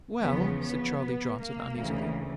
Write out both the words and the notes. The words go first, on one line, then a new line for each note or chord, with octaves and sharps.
"Well--" said Charlie Johnson uneasily.
E2 C#3 F3 B3
B3
A#3
D2 C#3 E3